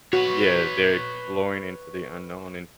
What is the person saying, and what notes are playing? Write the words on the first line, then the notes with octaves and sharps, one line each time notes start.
Yeah, they're exploring into the unknown in
F#4 B4 C#5